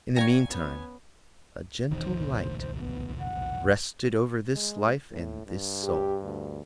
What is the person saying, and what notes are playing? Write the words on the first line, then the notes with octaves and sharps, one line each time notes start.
In the meantime a gentle light rested over this life and this soul.
C#5 D5 F5 G5 G#5 A#5
B3 C#4
F1 B1 D#3 E3 C5
C#2 A#2 A3
C5
B3
C2 A#2 C#3 F#5
G#3
A2
G2
G4
D2